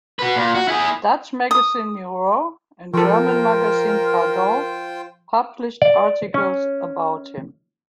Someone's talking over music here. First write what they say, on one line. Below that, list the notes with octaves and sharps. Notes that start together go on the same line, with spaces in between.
Dutch magazine "Miroir" and German magazine "Pardon" published articles about him.
F#4 B4
A#2
F#4
E4 G#4
D#6
F3 F4 A4 A#4 C5 G5
D5
C#4